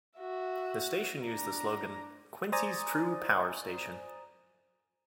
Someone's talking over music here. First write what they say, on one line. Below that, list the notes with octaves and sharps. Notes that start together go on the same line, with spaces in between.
The station used the slogan "Quincy's True Power Station".
F#4 E5
D4 A#5
C5 D5 G#5 A#5 D#6 A6